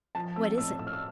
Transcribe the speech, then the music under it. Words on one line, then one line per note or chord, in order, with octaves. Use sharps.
"What is it?"
F3 A5
C4 E6
A2 E6
A2 E6
F6
E6